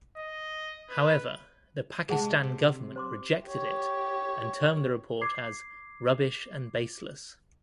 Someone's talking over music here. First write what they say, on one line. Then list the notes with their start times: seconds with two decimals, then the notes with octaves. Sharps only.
However the Pakistan government rejected it and termed the report as "rubbish and baseless".
0.17 D#5
0.90 B4
2.09 C3 G#3 G#4 F#5 A5
2.43 C3
2.96 C5 C6 D6
3.46 G4 C#5
5.21 D6 G#6 C7